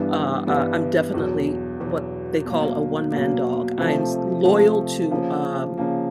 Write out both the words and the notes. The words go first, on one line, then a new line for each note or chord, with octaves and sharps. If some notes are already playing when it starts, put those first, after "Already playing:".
uh, uh, I'm definitely what they call a one-man dog, I am s loyal to, um,
Already playing: G2 E3 G3 B3 D4
G2 E3 G3 B3 D4
E2 B2 F#3
E2 B2 F#3
B2 F#3 A#3
B2 F#3 A#3
C3 F3 A3
C3 F3 A3
C#3 F3 A#3
C#3 F3 A#3